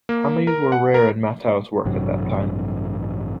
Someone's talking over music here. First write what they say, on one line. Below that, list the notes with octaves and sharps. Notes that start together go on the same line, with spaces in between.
Comedies were rare in Matthau's work at that time.
A#3
A#4
F#5
A#4
A1 G2 C3 F#3